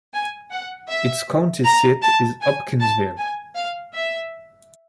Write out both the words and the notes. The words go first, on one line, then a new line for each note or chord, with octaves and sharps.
Its county seat is Hopkinsville.
G#5
F#5
E5
A#5
A5
G#5
A5
G#5
F5
E5